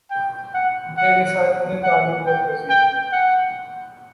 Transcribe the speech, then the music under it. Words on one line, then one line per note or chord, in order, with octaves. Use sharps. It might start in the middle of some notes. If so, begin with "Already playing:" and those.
They decided their target was Brazil.
G5
F#5
F#5
F#5
G5
G5
F#5